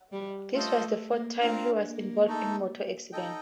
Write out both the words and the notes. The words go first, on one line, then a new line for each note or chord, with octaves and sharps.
This was the fourth time he was involved in motor accident.
G3
A3 F4 A4 C5 D#5
A3
A#3
C4 D4 F4 A#4 F5
A#3
A3 D#4 A4
D#4 A4 D#5 G5